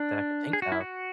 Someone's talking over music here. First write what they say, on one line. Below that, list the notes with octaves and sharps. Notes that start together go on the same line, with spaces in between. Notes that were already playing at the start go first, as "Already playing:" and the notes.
that I can think of.
Already playing: D4
G#4
F#4
E4
F#4